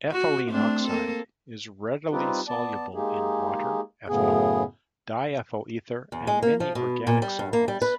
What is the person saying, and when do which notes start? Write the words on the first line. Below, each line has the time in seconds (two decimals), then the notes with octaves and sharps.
Ethylene oxide is readily soluble in water, ethanol, diethyl ether and many organic solvents.
0.12 F#4
0.49 A3 C4 D4
0.87 A#3 A4
2.12 G3 C4 D#4 F4 G4 B4
2.48 B3 D5 A5
2.95 G#3 A#3 D#4 G4 G#4
4.09 F#2 A2 C#3 B3 G#4
6.12 E2
6.27 G#3
6.42 A#3
6.60 F3
6.75 B2
7.07 A#2
7.22 G3
7.39 G2
7.53 A#3
7.68 G3
7.82 B4